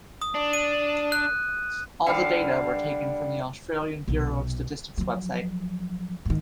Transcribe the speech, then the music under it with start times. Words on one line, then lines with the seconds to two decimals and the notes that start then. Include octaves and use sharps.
All the data were taken from the Australian Bureau of Statistics website.
0.22 D#6
0.35 D4
0.53 D#7
1.12 F#6
2.07 D3 G3 F5
4.08 B1 C3
4.98 F3 F#3
6.26 G#2 D#3